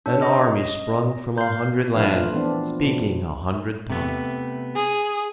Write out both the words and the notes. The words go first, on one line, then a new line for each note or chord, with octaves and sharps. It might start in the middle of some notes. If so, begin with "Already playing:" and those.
An army sprung from a hundred lands, speaking a hundred tongues!
C#4 D4 C#5
D#5
F5 G6
A#2 F3 D4 B4 E5 F5
A3 F4
E3 B3 C4 D4
B2
C3 A3 B3
G#4